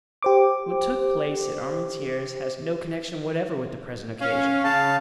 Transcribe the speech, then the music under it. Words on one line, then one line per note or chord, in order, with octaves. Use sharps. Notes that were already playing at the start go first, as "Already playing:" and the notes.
What took place at Armentieres has no connection whatever with the present occasion.
G4 C5 D6
C#4 F5
C#3 F5 A5